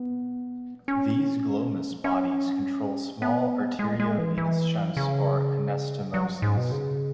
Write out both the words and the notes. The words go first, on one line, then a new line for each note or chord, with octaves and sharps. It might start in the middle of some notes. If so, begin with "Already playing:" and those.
These glomus bodies control small arteriovenous shunts or anastomoses.
Already playing: B3
C#4
C#4
B3
G#3
G#3
E3
E3
C#3
F#3
G#2
B2
C#3